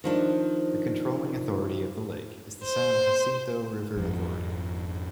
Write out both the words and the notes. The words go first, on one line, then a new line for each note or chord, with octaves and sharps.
The controlling authority of the lake is the San Jacinto River Authority.
D#3 F3 D4
C5
G#1 F2 F3